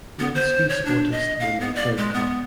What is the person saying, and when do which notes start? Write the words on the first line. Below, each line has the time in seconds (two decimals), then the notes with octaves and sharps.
Rilski Sportist won their third cup.
0.20 B3
0.35 C5
0.69 C#5
0.85 D4
1.12 D#5
1.40 F5
1.60 B3
1.76 D5
1.97 G#3
2.14 B3